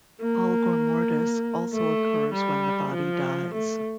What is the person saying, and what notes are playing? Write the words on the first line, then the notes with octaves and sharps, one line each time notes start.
Algor mortis also occurs when the body dies.
A#3
A3
G3
F3
A3